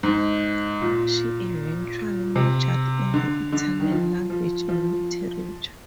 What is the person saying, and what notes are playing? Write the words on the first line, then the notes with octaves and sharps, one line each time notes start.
She eventually majored in the Italian Language and Literature.
G#2
A#2
C3
D3
D3
D#3
F3
F3
F3